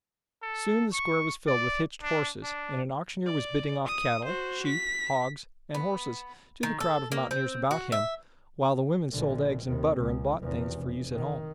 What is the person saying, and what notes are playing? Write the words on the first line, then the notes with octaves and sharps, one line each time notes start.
Soon the square was filled with hitched horses, and an auctioneer was bidding off cattle, sheep, hogs and horses to the crowd of mountaineers about him, while the women sold eggs and butter and bought things for use at home.
A4
C#6
D5
D4
D4
D5
D#6
F#4 C5
B6
B3
D#3
A4
A#3
C4
F#4
E5
A#1 D3
D#2 C3
C#2
F1 E2
F1
D#3